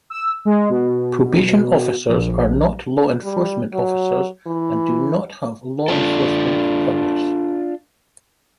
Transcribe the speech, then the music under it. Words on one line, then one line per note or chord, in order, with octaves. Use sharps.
Probation officers are not law enforcement officers and do not have law enforcement powers.
E6
G#3
B2
A#1
G3
F#3
E3
D4 F4 A4